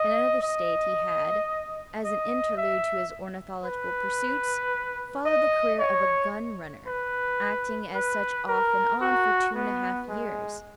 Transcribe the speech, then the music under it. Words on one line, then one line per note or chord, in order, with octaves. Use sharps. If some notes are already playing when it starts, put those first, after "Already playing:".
In another state he had, as an interlude to his ornithological pursuits, followed the career of a gun-runner, acting as such off and on for two and a half years.
Already playing: D#5
D#5
D#5
E5
B4
D#5
C#5
B4
B4
A#4
F#4
B3
G#3